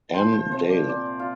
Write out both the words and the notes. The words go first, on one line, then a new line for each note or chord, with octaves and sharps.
Ann Dale.
F3 C5
C5
C3 C5
D5
A#2 D5
F4